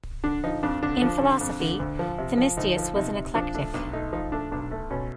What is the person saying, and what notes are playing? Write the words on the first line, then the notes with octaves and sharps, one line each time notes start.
In philosophy Themistius was an eclectic.
D3 D4
F3 D#4
F2 D4
D3 D4
F3
D3
F2
D3
D2
F3
C3
F3
D2 D#4
F3
C3 D#4
C3
F3 D4
A3 D4
B1 D4
A3 D#4
F3 D#4
A3 D4
B1 D4
A3
B2 C#4